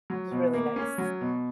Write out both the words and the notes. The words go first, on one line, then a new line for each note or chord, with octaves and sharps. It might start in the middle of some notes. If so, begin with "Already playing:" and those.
really nice,
F#3
B2
A#3
C#4
F#3
B2